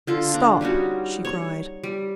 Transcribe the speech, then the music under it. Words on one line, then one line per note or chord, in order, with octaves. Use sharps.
"Stop!" she cried.
D3 F4 A4
D4 A#5
G3 C#4 D#4 F#4
C#5
G3